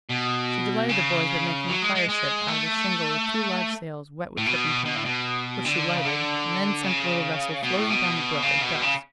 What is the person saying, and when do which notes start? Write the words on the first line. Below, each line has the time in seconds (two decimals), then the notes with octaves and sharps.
She delighted the boys by making a fire-ship out of a shingle with two large sails wet with turpentine, which she lighted, and then sent the little vessel floating down the brook at dusk.
0.10 B2
0.89 C#3
1.68 F#3
1.82 G#3
1.95 G#3
2.08 G#3
2.48 A3
4.37 A2
4.46 B2
4.85 B2
4.96 A2
5.06 B2
5.65 D3
5.95 C#3
6.05 D3
6.83 C#3
7.63 B2
7.77 A2
7.90 B2
8.43 C#3
8.62 B2
8.82 C#3